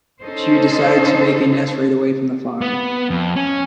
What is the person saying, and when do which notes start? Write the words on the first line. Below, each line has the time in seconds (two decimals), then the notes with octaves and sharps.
She decided to make a nest right away from the farm.
0.22 C#4 D#4 A4 C5
2.61 B3
3.10 F2
3.36 C#4